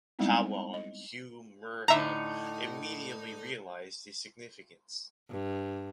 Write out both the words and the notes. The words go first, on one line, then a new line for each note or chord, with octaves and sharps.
Powell and Hugh Muirhead immediately realised the significance.
G3 G#3 B3 C4 D#4 E4
D#5
A2 D3 D#4 E5 A#5
G2